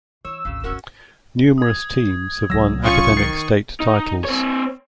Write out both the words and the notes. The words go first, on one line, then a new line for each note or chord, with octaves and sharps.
Numerous teams have won academic state titles.
E3 C#5 E6
G#1 D2 C#3
D1 C#4 F#4 A#4
D#6 G#6
C2 F#3 E6 A#6
C#4 F4 C#6 D#6 D#7
D#3 A6 C7
D#4
C4 C#5